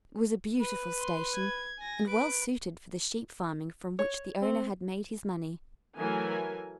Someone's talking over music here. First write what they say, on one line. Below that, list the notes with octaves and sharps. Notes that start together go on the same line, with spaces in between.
It was a beautiful station and well suited for the sheep farming from which the owner had made his money.
B4
C6
G#6
G#5 A#6
B4 D7
C#5
C4
E3 F#3 A3 A#4 G#5